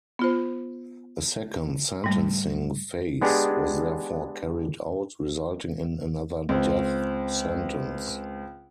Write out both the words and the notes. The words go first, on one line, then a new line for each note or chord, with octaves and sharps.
A second sentencing phase was therefore carried out, resulting in another death sentence.
B3 F4 C5
G#2 G3 A3
G#3 B3 D4 G4 G#4
C#2 C4